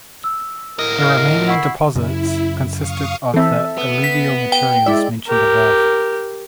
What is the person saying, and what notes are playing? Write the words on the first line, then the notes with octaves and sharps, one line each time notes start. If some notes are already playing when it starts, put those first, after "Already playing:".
The remaining deposits consisted of the alluvial materials mentioned above.
E6
A2 A#4 D#5
F5
E4 F#5 C#6 C7
F#2 C#3 E4
F5 C#6 D#6
E3 C4 A4 E5
B3
B6
G5
G#3 E4 D5 E5
G4 A#4